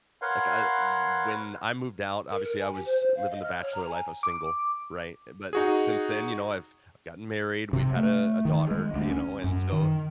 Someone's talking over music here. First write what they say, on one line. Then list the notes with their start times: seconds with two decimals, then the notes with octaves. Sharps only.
like, I l when I moved out, obviously I was living the bachelor life, I was single, right, uh, but since then, you know, I've I've gotten married, we've had a a daughter, you know, and so
0.22 A#4 B4 C#5 F5 F#5 C6
2.30 A#4
2.44 A#4
2.60 G#5
2.73 G4
2.85 C5
2.99 C5
3.16 F5
3.31 D#5
3.43 F6
3.62 C#5
3.74 A#5
3.88 G#5
4.23 D6
5.53 D#4 F#4 G#4
7.73 C3
7.96 A3
8.45 D#3
8.71 G#3
8.94 D2
9.10 C#4
9.44 F#2
9.72 D#3